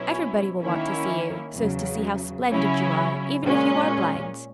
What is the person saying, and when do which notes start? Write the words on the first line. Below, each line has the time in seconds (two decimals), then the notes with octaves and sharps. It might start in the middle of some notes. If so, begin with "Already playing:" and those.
Everybody will want to see you, so's to see how splendid you are, even if you are blind.
Already playing: B2 F#3 C#4 E4
0.60 D#3 A#3 C#4 E4
1.55 E2 C#3 F#3
2.49 C#3 F#3 C#4 E4
3.43 A#2 G#3 C#4